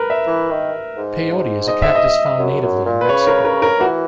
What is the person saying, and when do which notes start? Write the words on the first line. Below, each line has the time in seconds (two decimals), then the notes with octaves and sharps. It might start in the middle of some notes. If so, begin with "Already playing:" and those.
Peyote is a cactus found natively in Mexico.
Already playing: A#4 B4
0.10 E5
0.27 E3
0.51 D#3
0.97 G#2
1.68 D#5
1.82 E5
1.95 D#5
2.39 F#2
2.62 F#2
2.86 A#2
3.01 B4
3.09 C#3 C#5
3.27 A#4
3.45 A#4
3.62 A#4
3.80 E3 F#4